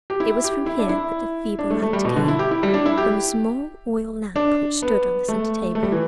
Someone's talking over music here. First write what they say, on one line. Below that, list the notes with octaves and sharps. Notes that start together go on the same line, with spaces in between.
It was from here that the feeble light came--from a small oil lamp which stood on the centre table.
G4
E4
G4
E4
D4
E4
D4
A3
A3
G3
B2
D3
E4
G4
E4
G3
D4
E4
G4
D4
B3
A3
A3
G3
E3